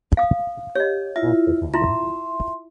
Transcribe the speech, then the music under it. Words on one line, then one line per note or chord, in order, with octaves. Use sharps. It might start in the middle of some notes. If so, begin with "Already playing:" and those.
At the time.
F5 D#6
G4 C#5 D#5
E4 F4 E5
E4 F4 E5 C6